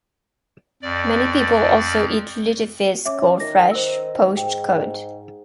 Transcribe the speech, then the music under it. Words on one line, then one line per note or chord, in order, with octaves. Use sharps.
Many people also eat "lutefisk" or fresh, poached cod.
F2 D5
C#4 E5 D6
D#3 A#6
C5 E6
G#2 G5